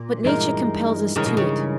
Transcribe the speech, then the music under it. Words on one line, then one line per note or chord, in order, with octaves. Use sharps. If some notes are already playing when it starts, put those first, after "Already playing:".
But nature compels us to it.
Already playing: A#2
G2 E3 G#3 D#4 A#4
G2 C#3 E3 G#3 D#4 A#4
B2
C#3